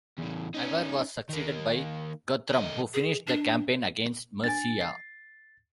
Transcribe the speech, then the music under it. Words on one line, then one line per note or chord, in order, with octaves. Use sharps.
Ivar was succeeded by Guthrum, who finished the campaign against Mercia.
E2 A2
C#4 D#4
D#3 A#3
D3 D#5
G#4
D4
D4 G#5 A6
C7